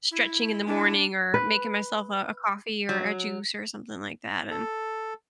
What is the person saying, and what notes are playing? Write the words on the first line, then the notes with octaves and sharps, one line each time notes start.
stretching in the morning or making myself a a coffee or a juice or something like that and
E4
D4 E4
B4
F#3
A4